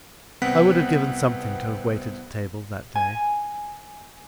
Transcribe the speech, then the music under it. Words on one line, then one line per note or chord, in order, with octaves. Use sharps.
I would have given something to have waited at table that day.
C2 B3 C4 F#5 F#6 B6
G#5